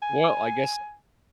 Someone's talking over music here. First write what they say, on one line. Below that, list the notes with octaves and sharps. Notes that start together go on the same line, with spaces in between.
Well, I guess
G#5